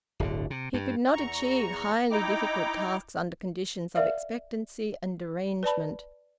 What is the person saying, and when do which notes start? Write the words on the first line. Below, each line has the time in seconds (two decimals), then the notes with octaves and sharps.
He could not achieve highly difficult tasks under conditions of expectancy and derangement.
0.20 D1 G1 D3
0.50 C3
0.74 G2
1.13 E2 A#5 C#6
2.11 D#4 E4 G5 A#5 D6
3.95 A#4 D5 E5 F5
5.63 B4 D5 A5 B5